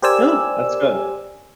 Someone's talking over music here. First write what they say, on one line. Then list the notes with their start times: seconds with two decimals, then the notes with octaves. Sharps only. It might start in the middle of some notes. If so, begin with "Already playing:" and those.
Oh, that's good,
0.02 G4 A#4 C5 D5 G#5 E6